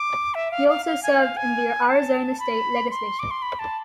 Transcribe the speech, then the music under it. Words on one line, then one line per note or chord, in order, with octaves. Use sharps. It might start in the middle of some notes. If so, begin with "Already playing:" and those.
He also served in the Arizona State Legislature.
Already playing: D6
E5
F5
F5
F5
G#5
F5
G#5
A5
B5
C6
D6
C6
B5
A5